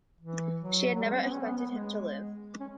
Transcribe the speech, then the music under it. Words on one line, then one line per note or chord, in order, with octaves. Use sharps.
She had never expected him to live.
E3
F#3
F#3
G#3
C#4
B3
C#4
B3
B3
G#3
C#4